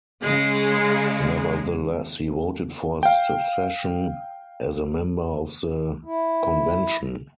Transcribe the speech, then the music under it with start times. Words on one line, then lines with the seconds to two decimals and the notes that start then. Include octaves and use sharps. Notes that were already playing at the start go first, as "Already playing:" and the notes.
Nevertheless, he voted for secession as a member of the convention.
0.20 C#3 G#3
3.03 F5 G5
6.05 E4